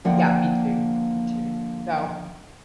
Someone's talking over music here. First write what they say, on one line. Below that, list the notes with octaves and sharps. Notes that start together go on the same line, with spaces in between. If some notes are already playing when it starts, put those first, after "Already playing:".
yeah, me too, me too. So,
D3 F3 A#3 D5 F#5 G5